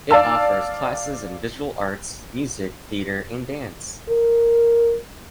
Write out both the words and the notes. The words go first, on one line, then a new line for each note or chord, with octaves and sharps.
It offers classes in visual arts, music, theater and dance.
D5 F5 A5 E6
A#4